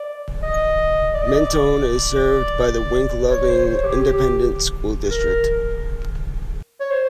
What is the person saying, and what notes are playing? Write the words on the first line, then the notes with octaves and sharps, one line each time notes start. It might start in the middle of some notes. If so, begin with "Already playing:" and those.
Mentone is served by the Wink-Loving Independent School District.
Already playing: D5
D#5
D5
D#5
D5
C#5
C5
C#5
G4
G4
A#4
C#5
C5